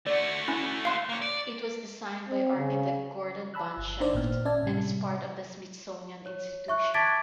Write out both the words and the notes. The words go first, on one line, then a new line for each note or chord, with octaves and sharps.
It was designed by architect Gordon Bunshaft and is part of the Smithsonian Institution.
A3 F#4 D5
C#4 E4
F5 C6 F#6
A#3 C#5
D5
C4
C#3
A5 B5 E6 F#6
G1
D4 D#4 C5 D5
G#1 A#2 B3 F6
C#4 D5 E5 A5 G#6
A2 C3 G3
C#5
E5 C#6 F#6
A5 D6 G#6 A6 B6 D7